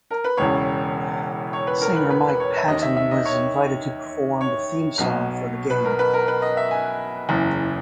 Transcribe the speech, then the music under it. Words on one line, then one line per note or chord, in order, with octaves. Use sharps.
Singer Mike Patton was invited to perform the theme song for the game.
A#4
B4
E1 E2 C#3 C#5
C#5
B4
A#4
B4
B4
B4
C#5
E5
D#2 D#3 D#5
E5
E5
D#5
C#5
C#5
B1 B2
B4
A#4
B4
A#4
B4
D#5
E5
G#5
F#1 E2 C#3 E3